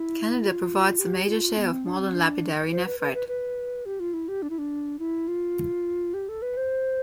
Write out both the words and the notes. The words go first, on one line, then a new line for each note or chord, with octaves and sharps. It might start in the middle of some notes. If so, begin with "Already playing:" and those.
Canada provides the major share of modern lapidary nephrite.
Already playing: E4
F4
G4
F4
B3
C4
D4
C4
D4
C5
B4
B4
B4
B4
G4
F4
E4
G4
D4
E4
D4
E4
F4
G4
A4
B4
C5